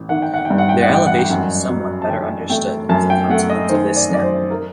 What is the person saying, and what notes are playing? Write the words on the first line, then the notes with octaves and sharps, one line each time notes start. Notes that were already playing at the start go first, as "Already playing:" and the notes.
Their elevation is somewhat better understood as a consequence of this step.
Already playing: A1
D#3 F#5
G5
F#5
G5
G2
F#5
G5
F#5
A1 G5
F#5
G5
F#2 F#5
F#3
A5
D3 G5
A3 G5
F#2 A5
G5
A3 F#5
D#5
D#3 C5
D5
F#2 D5
C5
A#4